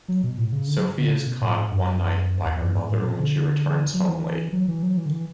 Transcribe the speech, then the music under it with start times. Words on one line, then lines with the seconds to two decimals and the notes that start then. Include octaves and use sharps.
Sophie is caught one night by her mother when she returns home late.
0.08 F#3
0.23 B2
0.38 A2
0.53 C#3
0.67 D3
0.77 F#3
0.97 D3
1.12 C#3
1.27 B2
1.42 A2
1.56 G#2
1.72 F#2
2.46 E2
2.60 F#2
2.75 G#2
2.90 A2
3.05 B2
3.20 D3
3.94 F#3
4.09 E3
4.53 F#3
4.68 E3
4.83 F#3
4.97 E3
5.06 D3
5.12 E3